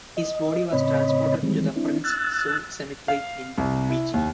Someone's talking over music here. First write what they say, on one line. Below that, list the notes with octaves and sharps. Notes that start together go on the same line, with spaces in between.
His body was transported to the Prince Su Cemetery in Beijing.
D#5
A2 C#3 C4 C#5 D#5 B5
D#3 E3 G3 G#3 C4
C4 D4 E4
E6 F#6 A6
F5
C2
E4
D#2